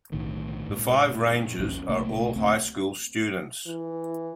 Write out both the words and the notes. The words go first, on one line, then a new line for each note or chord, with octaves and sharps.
The five rangers are all high school students.
B1 A2 D3 D#3
F#2 A#2 G#3
A#1 E2 F#3 C#4
B1 C3 A3 A#3
C#2 A3 C4
E3